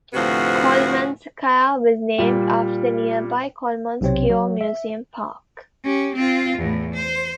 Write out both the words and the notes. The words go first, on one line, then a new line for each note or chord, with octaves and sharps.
Kolomenskaya was named after the nearby Kolomenskoye museum-park.
D2 A2 C3 F3 B3 F#4
A#2 G3
B1 C3 C4 C#5
F#3
E5
C#4 G4
C4 F4
E2 A2
C5